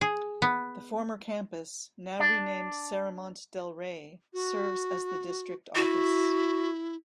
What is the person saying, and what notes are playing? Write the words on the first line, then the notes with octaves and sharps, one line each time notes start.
The former campus, now renamed Serramonte Del Rey, serves as the district office.
G#4
B3
D4
F#4
E4 F#4